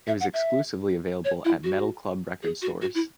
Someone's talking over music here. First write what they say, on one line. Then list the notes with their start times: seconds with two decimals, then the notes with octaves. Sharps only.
It was exclusively available at Metal Club record stores.
0.07 E5
0.20 F#5
0.33 E5
1.24 C#5
1.44 E4
1.64 F#4
2.43 G#4
2.62 F#4
2.82 F#4
2.95 E4